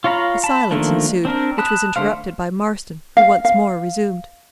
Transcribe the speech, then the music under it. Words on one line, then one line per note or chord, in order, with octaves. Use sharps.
A silence ensued, which was interrupted by Marston, who once more resumed.
F4 C#5 F5 A#5 B5
A5 B5
D#3 F3 A3 A#3 D4
C4 D4 A#4
A5 B5 D#6 F#6
D3 A3 C5 F5
F5
F5